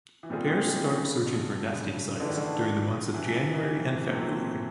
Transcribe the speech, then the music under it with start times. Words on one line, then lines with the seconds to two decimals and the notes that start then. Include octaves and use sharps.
Pairs start searching for nesting sites during the months of January and February.
0.23 E3
0.30 A#2 D#3 G3 C4 F4 G#4
0.72 E3
0.77 D#3
1.25 D3
1.66 D3
1.72 C#3
2.20 D3 E3 A3 D4
2.28 D#3
2.37 D3
3.14 E3
3.54 E3
3.62 D#3
4.09 A#2 F#3 A3 C4